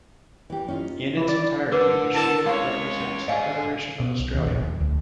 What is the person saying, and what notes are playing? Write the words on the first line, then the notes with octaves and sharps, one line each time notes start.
In its entirety the shield represents the federation of Australia.
E3 G4
C#4 D#4 F4
E3 E4
D5
D3 A#4 B4 D6
E4 A#4 A5
G#3 C#4 C#5 F5
G#2 G#4 D#5 F5 G#5
B2
B1
D#2
A#1
D#1
D2